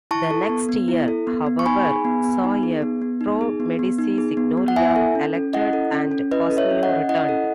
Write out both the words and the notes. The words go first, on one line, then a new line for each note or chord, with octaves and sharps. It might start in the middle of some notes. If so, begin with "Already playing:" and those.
The next year, however, saw a pro-Medici Signoria elected and Cosimo returned.
E4 A5 C#6
A4
B3
B3
E4
A4
B3
B3
C#6
D#4 G#5 B5
G#4
B3
B3
D#4
G#4
B3
B3
D#4
G#4
B3
B3
D#4
G#4
B3
B3
F#5
E4 E5 G#5
A4
C#4
C#4
E4 D#5 F#5
A4
C#4
C#4
E4 B4 D#5
A4
C#5 E5
C#4
D#5 F#5
C#4
E4 D#5 F#5
A4